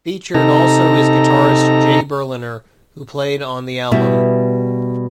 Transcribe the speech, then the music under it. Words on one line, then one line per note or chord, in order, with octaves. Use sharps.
Featured also is guitarist Jay Berliner, who played on the album.
C3 D#4 A4 A#5
B2 G3 B3 E4